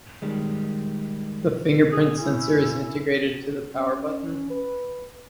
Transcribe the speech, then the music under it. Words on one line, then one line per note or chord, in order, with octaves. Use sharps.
The fingerprint sensor is integrated to the power button.
D#3 G3 G#3
G#4
C#4 E4
F#4
C#4
B4